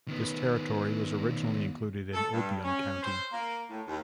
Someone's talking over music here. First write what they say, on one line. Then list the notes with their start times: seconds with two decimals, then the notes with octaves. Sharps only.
This territory was originally included in Obion County.
0.08 D#3 B3
2.14 A4
2.33 G2
2.64 C#4
3.03 C5
3.32 A#3
3.70 A2
3.88 D#2